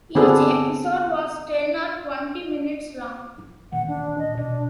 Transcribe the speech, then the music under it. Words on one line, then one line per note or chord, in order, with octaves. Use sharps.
Each episode was ten or twenty minutes long.
D3 B3 C4 D4 G#4 A4
A#2 D#3 E3 F#5
D4
D#5
B2 D4